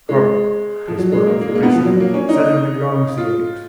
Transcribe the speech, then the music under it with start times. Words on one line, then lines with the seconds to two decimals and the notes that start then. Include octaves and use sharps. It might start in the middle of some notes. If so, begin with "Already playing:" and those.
"Hum!" responded the prisoner, suddenly growing serious.
0.09 G#3
0.88 F3
0.98 F#3
1.12 G#3
1.27 A#3
1.41 A#3
1.49 G#3
1.55 A#3
1.63 B3
1.75 F3
1.85 F#3
2.00 A#3
2.14 C#4
2.29 D#4
3.18 F4